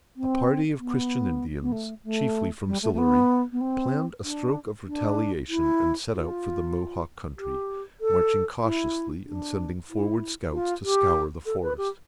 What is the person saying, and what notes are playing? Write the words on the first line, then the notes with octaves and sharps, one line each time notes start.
A party of Christian Indians, chiefly from Sillery, planned a stroke of retaliation, and set out for the Mohawk country, marching cautiously and sending forward scouts to scour the forest.
C4
B3
B3
A3
A3
G3
A3
A3
B3
B3
C4
D4
D4
E4
F4
G4
A4
E4
D4
E4
F4
G4
A4
B4
G4